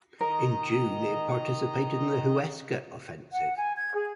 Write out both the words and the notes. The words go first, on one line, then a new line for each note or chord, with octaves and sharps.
In June it participated in the Huesca Offensive.
D#3 A#4 D#5 A#5
F#5
G#5
G#6
G#4